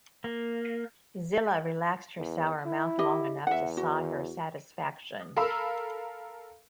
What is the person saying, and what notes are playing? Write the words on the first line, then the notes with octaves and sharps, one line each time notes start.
Zilla relaxed her sour mouth long enough to sigh her satisfaction.
A#3
E2
E4
G4 D#5
E2 E5 F#5
F#4
A4 A#4 F5 B5 E6